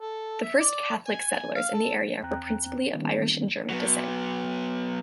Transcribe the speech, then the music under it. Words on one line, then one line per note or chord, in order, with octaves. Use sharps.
The first Catholic settlers in the area were principally of Irish and German descent.
A4
E5
D5
G#5
F5
A4
E2 C4 G5 A#5 F#6
D#3 G3 A#3 B3 C#4
F#3 B3